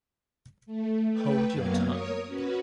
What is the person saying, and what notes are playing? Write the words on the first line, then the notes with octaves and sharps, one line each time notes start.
Hold your tongue.
A3
A3 B4 G5
F#2 F#3 A#3 B3 F5 G#6
A#4 C#5 D#6
C#4 F#4 B4